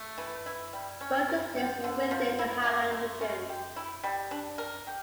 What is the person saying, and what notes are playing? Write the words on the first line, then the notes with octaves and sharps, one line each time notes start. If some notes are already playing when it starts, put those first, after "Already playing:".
Both districts were within the Highland region.
Already playing: A3
E3
E4
G3
C#4
A#4
G4
D3
F3
E4
A3
A3
C#4
G4
E4
G3
D4
A#4
G4